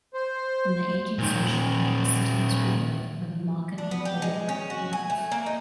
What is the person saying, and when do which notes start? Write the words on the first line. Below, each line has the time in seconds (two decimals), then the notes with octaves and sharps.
In the eighteenth century, the city was rebuilt with a markedly Baroque appearance.
0.14 C5
1.18 A#2 D#3
3.78 D4
3.91 B3
4.05 G4
4.22 G#3
4.49 C#4
4.70 F#4
4.93 G#5
5.10 A3
5.32 A#3
5.46 D#4